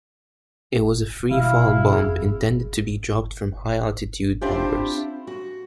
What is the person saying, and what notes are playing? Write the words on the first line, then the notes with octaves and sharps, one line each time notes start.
It was a free-fall bomb intended to be dropped from high-altitude bombers.
B2 E4 F5
F2 G#4
C4 D4 E4 F4 G4 C5
F#4